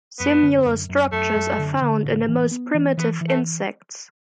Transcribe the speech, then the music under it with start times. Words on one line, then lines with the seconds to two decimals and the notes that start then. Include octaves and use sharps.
Similar structures are found in the most primitive insects.
0.19 F#2 B3
0.43 D3
0.65 F#2
0.89 F#2
1.12 F#2 A3
1.35 F#2
1.59 D3
1.82 D3
2.05 A1
2.28 E3
2.51 B3
2.74 E3
2.97 E3 B3
3.21 E3
3.28 A3